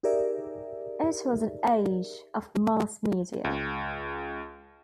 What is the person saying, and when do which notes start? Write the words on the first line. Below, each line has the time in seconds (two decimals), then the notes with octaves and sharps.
It was an age of Mass media.
0.03 D#4 G4 G#4 A#4 D5 E5
3.44 C#2